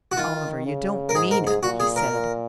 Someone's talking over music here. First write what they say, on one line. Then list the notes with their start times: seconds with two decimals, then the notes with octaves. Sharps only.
"Oliver, you don't mean it," he said.
0.12 F#4
0.17 D#3 F4
0.66 C#3
1.09 A#4
1.14 G#2 G#4
1.31 A#4
1.47 G#4
1.63 A#2 F#4
1.80 G#4
1.96 A#4
2.12 A#2